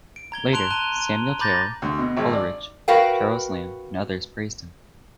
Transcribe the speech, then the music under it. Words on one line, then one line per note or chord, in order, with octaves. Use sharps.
Later, Samuel Taylor Coleridge, Charles Lamb and others praised him.
D7
A#5 G#6 G7
A5 C6 F#6 D7 F7 G7
A5 A#5 F#6 D#7 G7
A#5 B5 D6 G6 A6 A#6
D2
B2
G#1
D5
F#4 A#4 B4 F5 G5